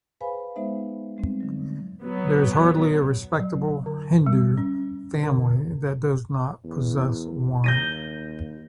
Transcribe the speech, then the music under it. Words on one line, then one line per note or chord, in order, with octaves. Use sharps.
There is hardly a respectable Hindu family that does not possess one.
G#4 B4 C5 F5 G#5 B5
G#3 B3 D#4 C5 E5
G3 G#3 C4
D3 F#3
F#3 B3
F#3
D3
G3
C#4
D3
E2
D#2 G6 A#6 D#7